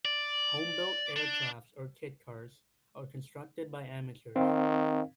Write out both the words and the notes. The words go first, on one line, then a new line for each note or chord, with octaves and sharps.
Homebuilt aircraft or kit cars are constructed by amateurs.
D5
D4
D#3 C4 F5